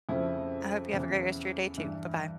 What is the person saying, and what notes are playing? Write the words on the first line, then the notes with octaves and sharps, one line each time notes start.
I hope you have a great rest of your day too, bye-bye.
F2 C#3 F3 E4
E2 C#3 E3
G2 E3